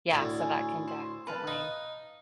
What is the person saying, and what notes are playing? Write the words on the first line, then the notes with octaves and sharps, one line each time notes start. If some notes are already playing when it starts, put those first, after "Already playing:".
Yeah. So that can definitely
D2 A2
G#5
C5
B4 F5 A5
D#4